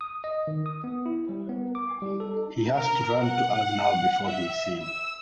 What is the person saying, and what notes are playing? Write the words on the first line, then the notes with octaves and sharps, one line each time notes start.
He has to run to earth now before he is seen.
D#6
D#5
D#3
D#6
B3
E4
G3
B3
D6
G3
A4
A#4
F#5
E5
E6